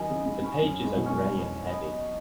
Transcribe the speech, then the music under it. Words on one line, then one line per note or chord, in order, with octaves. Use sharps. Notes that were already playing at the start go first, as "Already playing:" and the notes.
The pages are gray and heavy.
Already playing: D#3 F#3 G#3 B3 C#4 G#4 B4 D#5
C#3
G#2
G#2 F#3 C#4 G#4 B4
F#2
G#2
B2
G#2 C#4 F#4 C#5
B3 F#4 D#5